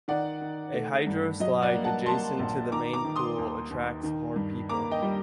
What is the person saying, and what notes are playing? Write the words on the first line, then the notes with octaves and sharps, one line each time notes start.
A hydroslide adjacent to the main pool attracts more people.
D#3 D5 F#5
D#3
A3
G2
F#3 D#5
D5 F#5
A#3
F#5 A5
A#3 A5 C6
A#1
D#3 A#5 D6
A#5 D6
D#3
C6 D#6
D#2
D#2
D#3
G2
A#3 A#5 D6
D#5 G5
G3